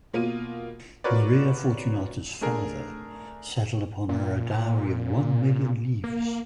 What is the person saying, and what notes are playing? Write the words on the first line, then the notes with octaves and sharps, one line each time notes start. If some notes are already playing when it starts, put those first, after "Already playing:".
Maria Fortunata's father settled upon her a dowry of one million "livres".
B2 A#3 F4 D#7
F4 F#4 A#4 B4 C#5 D5
A3 D4 G#4 A#4
A#2
A#3